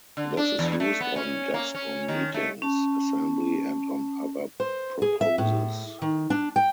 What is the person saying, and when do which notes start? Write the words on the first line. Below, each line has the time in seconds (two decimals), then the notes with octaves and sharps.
This Is Used on Desk On Meetings, Assembly and on Other Proposes.
0.17 D3
0.37 D4
0.59 E2
0.80 A3
1.00 B3
1.16 C#4
1.54 A#3
1.75 C#4
2.08 D#3
2.34 A3
2.62 C#4 A5
4.60 C5
5.02 G#4
5.21 E5
5.38 A2
6.02 D#3
6.30 D4
6.56 G5